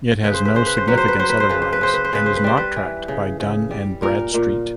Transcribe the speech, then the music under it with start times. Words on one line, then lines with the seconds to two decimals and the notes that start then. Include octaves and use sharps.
It has no significance otherwise and is not tracked by Dun and Bradstreet.
0.23 C#3 B4
0.34 C5
0.45 B4
0.55 C#3 C5
0.66 B4
0.77 C5
0.88 F#3 B4
0.98 C5
1.08 B4
1.19 F#3 C5
1.30 B4
1.40 C5
1.49 C#3 B4
1.62 C5
1.73 B4
1.81 C#3 C5
1.94 B4
2.05 C5
2.13 C#3 B4
2.26 C5
2.36 B4
2.44 G3 C5
2.57 B4
2.76 E3
3.08 C#3
3.40 C#3
3.71 G3
4.02 A#2 A#4
4.34 A#2